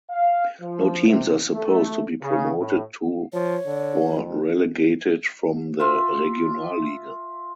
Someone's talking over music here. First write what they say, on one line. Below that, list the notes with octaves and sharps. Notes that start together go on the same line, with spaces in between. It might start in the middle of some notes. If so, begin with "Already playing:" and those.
No teams are supposed to be promoted to or relegated from the Regionalliga.
F5
F3
C3
A3
C#3
A2
F3 C#5
D3
F2
F4 E5 C6